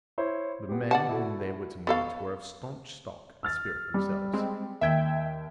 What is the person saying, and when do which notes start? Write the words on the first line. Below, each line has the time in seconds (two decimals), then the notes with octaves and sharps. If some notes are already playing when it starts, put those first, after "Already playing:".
The men whom they were to meet were of staunch stock and spirit themselves.
0.18 E4 C5 C#5
0.69 B3 G4
0.91 D5 F#5 A5
1.09 E4 F#4 A4
1.87 B3 A4 F5 C#6
3.43 E6 F6 A6
3.94 G3
4.33 G#3 C4
4.81 D#2 E5 G5 G#6